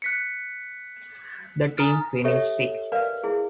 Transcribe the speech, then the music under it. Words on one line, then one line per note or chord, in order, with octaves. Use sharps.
The team finished sixth.
F#6 B6 C#7
G#5 A#5 D#6 F6 A6
G4 A4 C#5 E5
A#4 B4 D5 F5
E4 G#4